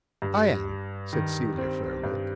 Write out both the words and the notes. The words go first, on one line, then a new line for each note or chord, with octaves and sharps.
"I am," said Celia firmly.
G2
G3
D#3
C4
G2